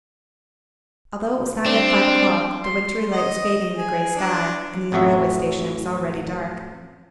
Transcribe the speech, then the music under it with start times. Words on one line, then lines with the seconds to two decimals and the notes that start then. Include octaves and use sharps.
Although it was not yet five o'clock, the wintry light was fading in the grey sky, and in the railway station it was already dark.
1.66 G3 C4 D4
2.61 C6
3.12 D#5
3.75 G#4
4.16 D4
4.92 A1 F2 F#3 F#4 E5